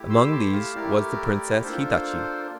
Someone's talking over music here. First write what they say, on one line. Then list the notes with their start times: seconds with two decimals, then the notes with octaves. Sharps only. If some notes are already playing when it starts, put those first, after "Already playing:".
Among these was the Princess Hitachi.
Already playing: A3 E4 G4
0.10 C6 E6
0.26 D6
0.32 A5 C6
0.53 F5 A5
0.75 A3 E4 G4 A#4 D5
1.63 A#3 D4 F4 A4 C5